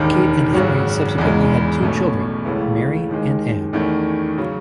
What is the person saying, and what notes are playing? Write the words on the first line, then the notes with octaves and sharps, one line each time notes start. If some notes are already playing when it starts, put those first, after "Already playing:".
Kate and Henry subsequently had two children, Mary and Anne.
Already playing: E1 D#2 D#3
G#1 F#2 C#3 F#3
E1 E2 C#3 G#3
B1 B2 A3 C#4
C#2 C#3 E3 A3
D#2 D#3 G#3
E2 D#3 A3 C#4
C#3 F#3